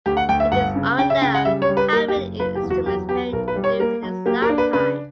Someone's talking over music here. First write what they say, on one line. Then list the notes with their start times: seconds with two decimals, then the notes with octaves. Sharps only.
It is unknown how many instruments Perry produced in his lifetime.
0.06 D2 G4
0.17 F#5
0.29 D2 G5
0.40 E5
0.52 G1 F#5
0.76 C#3
0.98 C#3 G5
1.10 E5
1.22 C#3 G5
1.34 F#5
1.45 G3 E5
1.62 C#5
1.69 G3
1.77 B4
1.92 A#3 A#4
2.08 G4
2.16 F#1
2.39 F#1 B4
2.55 G4
2.63 E2
2.70 F#4
2.86 F#3 G4
3.09 B3 G4
3.32 B1 A#4
3.48 B4
3.56 G3
3.64 C#5
3.80 A#3 A#4
4.03 F#3
4.26 A#3 G4
4.42 A#4
4.49 D4
4.58 B4
4.73 C#3 B4